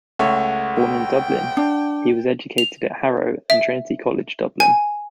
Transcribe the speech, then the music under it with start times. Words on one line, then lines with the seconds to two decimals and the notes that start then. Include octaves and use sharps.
Born in Dublin, he was educated at Harrow and Trinity College Dublin.
0.19 C#2 A3 C#5 F#5
0.78 G5
1.57 D4
2.58 F7
3.50 E5
4.60 G#5